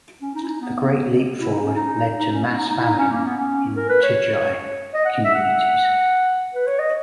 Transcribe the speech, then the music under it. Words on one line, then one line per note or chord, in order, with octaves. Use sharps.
The Great Leap Forward led to mass famine in Tujia communities.
C#4
D#4
E4
D#4
B3
E4
D#4
C#4
D#4
D#4
C#4
B3
D#4
D#4
E4
D#4
C#4
A#3
B3
C#4
A#4
B4
C#5
D#5
F#5
E5
F#5
B4
C#5
D#5